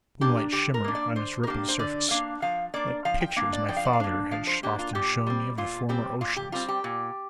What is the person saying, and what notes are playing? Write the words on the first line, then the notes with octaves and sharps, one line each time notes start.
The moonlight shimmered on its rippled surface, like pictures my father had often shown me of the former oceans.
A#3 D4 G4
D3 G4
A#4
A#3 D4
D5
D3 C5
A#4
A#3 D4 G4
C5
D3 D5
A#3 D4 F5
F3 F5
A#3 D4 D5
F3 F5
G5
A#3 D4 F5
D5
F3 G5
F5
D5
F5
A#3 D4
F3 F5
C5
A#3 D4 G4
F4
A#2 G4
G3 C4
A#2 F4
G3 C4 G4
A#2 F4
G4
G3 C4 F4
G4
A#2